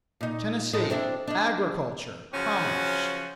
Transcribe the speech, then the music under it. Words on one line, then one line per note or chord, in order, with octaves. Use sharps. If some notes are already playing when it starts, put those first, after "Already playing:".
Tennessee--Agriculture, Commerce.
A#2 D#4
A2 G#3 D#4
C4 D4 E4
D4 D#4
C#3 F3 F#3 C#4 F#4 C5